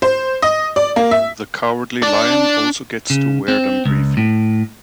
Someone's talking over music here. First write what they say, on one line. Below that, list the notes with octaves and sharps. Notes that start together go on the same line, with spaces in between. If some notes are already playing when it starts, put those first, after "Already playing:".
The Cowardly Lion also gets to wear them briefly.
C5
D#5
D5
A#3
E5
D4 D5
C#3
C4
C#2
A2